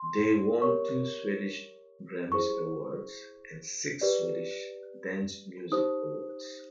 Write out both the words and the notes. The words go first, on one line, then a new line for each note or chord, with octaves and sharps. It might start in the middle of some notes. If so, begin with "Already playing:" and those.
They won two swedish Grammis Awards and six Swedish Dance Music Awards.
Already playing: C6
G4 A#4 C#5 C#6
E4 G#4 C5 C#6
G4 B4 D5
D#4 G4 C5 D#6